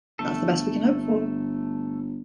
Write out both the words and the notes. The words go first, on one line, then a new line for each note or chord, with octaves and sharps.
That's the best we can hope for.
G1 A3 A4